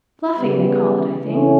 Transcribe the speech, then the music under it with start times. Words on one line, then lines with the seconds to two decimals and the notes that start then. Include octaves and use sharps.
Fluffing they call it, I think.
0.37 C#3 G3 B3
1.23 C#3 E3 A3 C#4